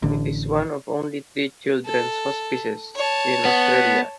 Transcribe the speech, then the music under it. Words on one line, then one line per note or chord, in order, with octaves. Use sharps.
It is one of only three children’s hospices in Australia.
A1 D3
A4
C#5 A5
B3